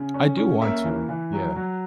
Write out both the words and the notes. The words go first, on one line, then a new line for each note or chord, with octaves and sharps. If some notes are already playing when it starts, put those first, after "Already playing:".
I do want to, yeah,
Already playing: C#3
C#4
C#4
A#3 E5
E3
E3
F#3
F#3